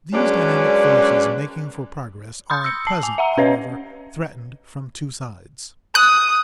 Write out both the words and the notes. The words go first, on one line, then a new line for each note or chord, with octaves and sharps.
These dynamic forces making for progress are at present, however, threatened from two sides.
F#2 G#3 C#4 D4 B4 D5
B5 C6 D#6 G6
E6 C#7
A5 C7
G#5
E5 F#5 A#5
C#4 B4 C#5 D#5
D#6 F#6